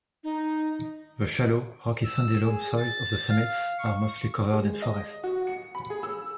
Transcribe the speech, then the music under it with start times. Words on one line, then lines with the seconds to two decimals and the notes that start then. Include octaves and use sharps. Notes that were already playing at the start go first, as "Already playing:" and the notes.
The shallow, rocky sandy loam soils of the summits are mostly covered in forest.
0.24 D#4
2.04 E6
2.45 G#4
2.77 A6
3.29 F5
3.79 C#6
4.54 G#3
4.82 D#5
5.24 F#4
5.47 C#7
5.75 B5
5.90 G#4
6.03 E6